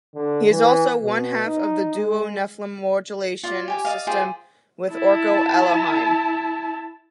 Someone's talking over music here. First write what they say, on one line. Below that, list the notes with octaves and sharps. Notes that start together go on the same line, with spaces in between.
He is also one half of the duo Nephlim Modulation Systems with Orko Eloheim.
D3
E3
B2
D#4
G#3
F4 D5
G4 G#5 D6
D5 D#5 F5
F4 G4 G#4 C5
E4 A5